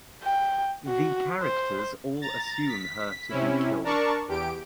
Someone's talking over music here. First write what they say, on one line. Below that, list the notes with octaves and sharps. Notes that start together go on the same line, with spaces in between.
The characters all assume her to be killed.
G5
F#4
C5
A#5 A6
B6
C3 C#4 E4
D4 A#4 D5 A5 C#6
E2 G4 D7